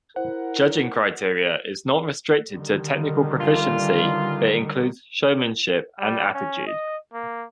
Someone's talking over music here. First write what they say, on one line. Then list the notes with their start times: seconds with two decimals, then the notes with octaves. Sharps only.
Judging criteria is not restricted to technical proficiency, but includes showmanship and attitude.
0.16 E4 A#4 C5 F#5
2.52 D3 D#3 G3
3.39 E3 C#4 F4
6.00 G3
6.34 C#4
6.67 D#5
7.14 A#3